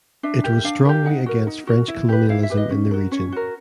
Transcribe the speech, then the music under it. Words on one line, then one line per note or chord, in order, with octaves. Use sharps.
It was strongly against French colonialism in the region.
D4 E5
G4 A#4
D4 F5
G4 A#4
D#4 F#5
F#4 A#4
D#4
F#4 A#4
E4
G4 B4
E4 F5
E5
G4 B4
D#5
C#4
F#4 A#4
C#4 C#5
F#4 A#4